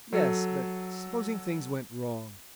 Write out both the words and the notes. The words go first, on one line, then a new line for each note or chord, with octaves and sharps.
"Yes; but supposing things went wrong?"
F#3 A4